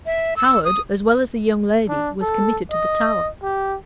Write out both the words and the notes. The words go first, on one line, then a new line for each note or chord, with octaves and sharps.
Howard, as well as the young lady, was committed to the Tower.
E5
E6
D#6
D4
A4
D#5
G4